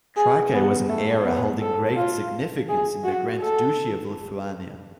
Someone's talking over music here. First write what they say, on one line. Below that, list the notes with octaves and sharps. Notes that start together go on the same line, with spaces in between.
Trakai was an area holding great significance in the Grand Duchy of Lithuania.
G#4
B3
A3
B3
A4
F4
G#4
F#4
A4